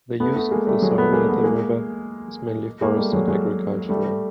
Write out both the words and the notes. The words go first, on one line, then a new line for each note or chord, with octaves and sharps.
The use of the soil near the river is mainly forest and agricultural.
A3 B3
A3 B3
G#3 A#3
G3 A3
F#3 G#3
A3 B3
G#3 A#3
A3 B3
G#3 A#3
G#3 A#3
G3 A3
F#3 G#3
F#3 G#3
G3 A3